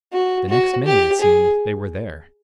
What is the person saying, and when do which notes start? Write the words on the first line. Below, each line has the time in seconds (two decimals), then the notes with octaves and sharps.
The next minute, it seemed, they were there.
0.12 F#4
0.49 F#4
0.86 G4
1.21 G#4